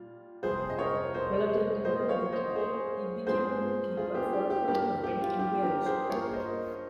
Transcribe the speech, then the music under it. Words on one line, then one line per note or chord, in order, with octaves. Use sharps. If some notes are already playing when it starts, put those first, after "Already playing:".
Relatively well-educated, he became a bookkeeper for a coal company in Wales.
Already playing: A#2 G3 F4
F2 C3 G3 G#4 C5
D#5
A#4 C#5
C5 D#5
A#2 G3 A#3 C5 D#5
C#5 F5
C5 D#5
G#4 C5
G2 F3 G#3 G#4 C5
F4 G#4
G4
G4
G4
G2 G3 A#3 G4 A#4
G4
F4
G4
G4 A#4
G#4 C5
G2 F3 A#3 A#4 C#5
C5 D#5